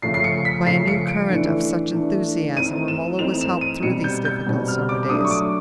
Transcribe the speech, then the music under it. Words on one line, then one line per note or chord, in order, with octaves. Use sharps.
By a new current of such enthusiasm Romola was helped through these difficult summer days.
C#3 F3 A3 C7
C7
C#7
B6
C#3 F3 A3 C7
C#7
D7
E3 A3 D4
E3 A3 D4
E3 A3 C4 D#4 D#7
E7
E3 A3 C4 D#4 F7
E7
D#7
B2 G3 C4 D#4 C#7
G6
G6
B2 G3 C4 D#4
F6
D6
F#3 A3 D4 D#6
C#6
D6